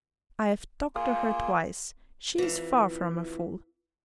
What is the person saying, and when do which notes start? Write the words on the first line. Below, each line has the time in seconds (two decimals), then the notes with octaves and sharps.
I've talked to her twice, she is far from a fool.
0.95 A#3 F4 G#4
2.38 F2 E3